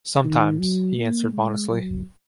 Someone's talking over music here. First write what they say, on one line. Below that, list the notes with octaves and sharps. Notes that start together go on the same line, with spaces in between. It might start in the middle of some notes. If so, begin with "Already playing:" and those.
"Sometimes," he answered modestly.
D#3
F#3
A#3
G#3
F#3